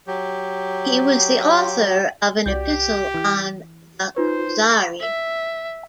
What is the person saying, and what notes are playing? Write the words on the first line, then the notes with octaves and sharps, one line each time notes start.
He was the author of an epistle on the "Kuzari".
F#3 G4
C2 F#4 G4 D5 G6
E3
D#4 F4 B4 C5
E5